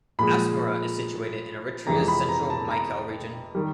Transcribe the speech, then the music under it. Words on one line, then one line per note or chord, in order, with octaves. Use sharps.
Asmara is situated in Eritrea's central Maekel Region.
A#2 F3 G#3 B5
F2 C3 E3 G#3 A#5
B5
A#5
A5
A#5
D#3 G3